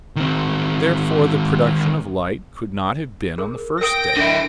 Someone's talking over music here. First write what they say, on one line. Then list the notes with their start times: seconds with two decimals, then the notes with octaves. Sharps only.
Therefore the production of light could not have been on the first day.
0.16 D#3 C4
3.38 G#4 A#4
3.81 A#4 G5 D#6 A#6 D7
4.16 D3 E4